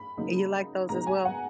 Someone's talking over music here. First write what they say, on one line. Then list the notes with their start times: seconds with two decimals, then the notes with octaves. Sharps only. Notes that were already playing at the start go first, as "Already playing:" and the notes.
You like those as well?
Already playing: B5
0.17 C#3 F#3 A#3 D#4
0.89 B2 G#3 B3 D#4 A#5
1.07 G#5
1.25 F#5